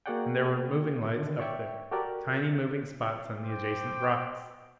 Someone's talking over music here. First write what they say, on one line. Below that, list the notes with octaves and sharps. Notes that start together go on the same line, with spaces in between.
And there were moving lights up there, tiny moving spots on the adjacent rocks.
A#3 F#4 G#4 D5 F#5 G5
D3 D#3
C#5 D5 E5 G5 C#6
F#4 G4 A4 A#4 D5
C5 G5 D6